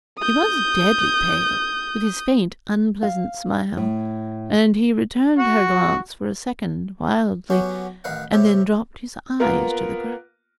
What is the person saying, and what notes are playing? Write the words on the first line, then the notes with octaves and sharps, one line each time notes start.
He was deadly pale, with his faint unpleasant smile; and he returned her glance for a second wildly, and then dropped his eyes to the ground.
D#6 G6
F5
A2
F#4 F#5
F#3 B3 C#4 F#4 G4
A1 D#3 B4 F5 F#5
A2 C3 E4 G4
A#3 B3 F4 A#4